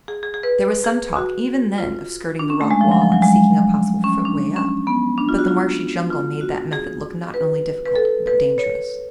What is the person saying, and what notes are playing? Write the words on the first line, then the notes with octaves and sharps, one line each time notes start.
There was some talk, even then, of skirting the rock wall and seeking a possible footway up, but the marshy jungle made that method look not only difficult but dangerous.
G#4
G#4
G#4
B4
G#4
F#4
F4
D4
C#4
A3
G#3
F3
F#3
F3
F#3
G#3
C#4
D4
C#4
B3
D4
F4
F#4
F4
F4
F#4
G#4
B4
B4
A4
B4
C#5